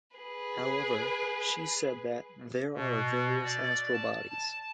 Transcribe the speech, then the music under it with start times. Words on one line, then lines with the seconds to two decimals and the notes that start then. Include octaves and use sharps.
However, she said that "there are various astral bodies".
0.17 G#4 B4
2.75 B2
3.43 D5
3.93 A5
4.30 A5